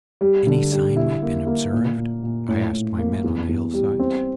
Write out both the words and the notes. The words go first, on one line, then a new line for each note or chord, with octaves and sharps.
"Any signs we have been observed?" I asked my men on the hillsides.
G3
D3
G3
E4
A#3
A#3
A#2
A#2
A#2
A2
A2
A#3
E2
E2
G3
C4